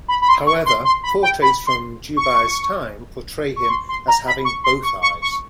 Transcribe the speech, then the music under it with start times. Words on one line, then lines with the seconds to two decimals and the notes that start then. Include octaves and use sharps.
However, portraits from Jubei's time portray him as having both eyes.
0.08 B5
0.22 B5
0.28 C6
0.47 C#6
0.66 C6
0.85 C6
1.03 B5
1.23 G5
1.42 B5
1.67 C6
2.17 C#6
3.56 C#6
3.69 C6
3.89 C6
4.08 A#5
4.27 B5
4.45 C#6
4.64 C6
4.83 C#6
5.02 C#6
5.22 C#6